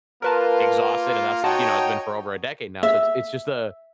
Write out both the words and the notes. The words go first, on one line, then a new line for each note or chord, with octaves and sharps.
exhausted and that's, you know, it's been for over a decade now. So it's it's just a
A#3 F4 A#4 B4 A5
D#4 F#4 C#5 F#5 G5 A5
E5